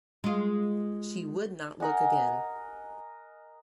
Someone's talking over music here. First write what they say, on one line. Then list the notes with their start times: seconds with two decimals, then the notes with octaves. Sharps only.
She would not look again.
0.24 G#3 F4
1.80 A#4 D#5 F#5 G#5